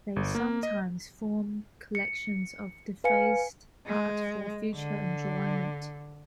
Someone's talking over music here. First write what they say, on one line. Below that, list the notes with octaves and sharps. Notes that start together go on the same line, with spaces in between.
They sometimes form collections of defaced art for future enjoyment.
G1
A#3
D#5
C#7
B4 F5 G#5 C#7
G#3
D3